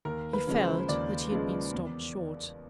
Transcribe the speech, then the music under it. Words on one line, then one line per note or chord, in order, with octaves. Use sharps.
He felt that he had been stopped short.
D#2 A#4
B4
C#3 F3 G#3
C5
D#2 D5
C#3 F3 G#3
E2